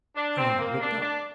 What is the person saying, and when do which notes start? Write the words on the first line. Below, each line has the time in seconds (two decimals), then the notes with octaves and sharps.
Her aunt looked up.
0.16 D4
0.37 C4
0.59 A#3
0.81 D4
1.02 D4